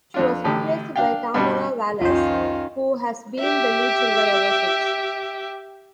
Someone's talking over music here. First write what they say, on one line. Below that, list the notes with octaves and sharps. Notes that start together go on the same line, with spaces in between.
She was replaced by Tamara Wallace, who has been the lead singer ever since.
F2 D4 F4
A1 D2 G4
D4 F5 G5
G2 B2 G3
C2 F2 D#3 F3 C#4 F4 C5
G4 E5